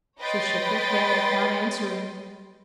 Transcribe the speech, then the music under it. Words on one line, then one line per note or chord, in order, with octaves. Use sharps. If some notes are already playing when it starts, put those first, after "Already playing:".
She shook her head, not answering.
B4 C#5 D#5 G5 C6 A6